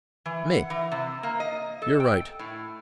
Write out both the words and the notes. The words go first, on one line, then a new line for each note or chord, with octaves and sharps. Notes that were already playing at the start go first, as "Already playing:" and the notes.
ME: You're right.
E3
F#5
E3
C3
A#3
D#5
A4
G5
A2